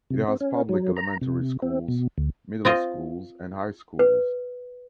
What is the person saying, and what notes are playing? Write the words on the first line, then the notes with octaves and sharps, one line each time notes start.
It has public elementary schools, middle schools, and high schools.
C3
C4
C#4
F#3
A#5
C3
C4
B2
D2
C4 F4 D#5
B4